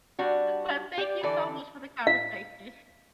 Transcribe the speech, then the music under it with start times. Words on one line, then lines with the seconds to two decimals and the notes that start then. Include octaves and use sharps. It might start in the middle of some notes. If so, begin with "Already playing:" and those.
Well, thank you so much for the conversation.
0.19 G3 D4 F#4
0.97 G4 D5
1.23 D3 E3 A4 D5
2.07 F5